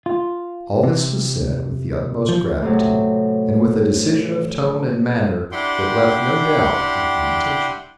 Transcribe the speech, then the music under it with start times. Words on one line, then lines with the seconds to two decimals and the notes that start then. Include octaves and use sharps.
All this was said with the utmost gravity, and with a decision of tone and manner that left no doubt of the intention.
0.06 F4
0.83 C3
2.29 F3
2.62 A2 C3 F#3
5.52 D4 E4 G4 F#5 G5 C6